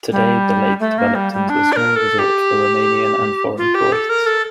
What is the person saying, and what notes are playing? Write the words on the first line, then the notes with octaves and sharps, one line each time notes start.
Today the lake developed into a small resort for Romanian and foreign tourists.
G3
A3
A#3
G3
G3
D4
D5
A#4
A4
G4
F4
G4
A4
A#4
A4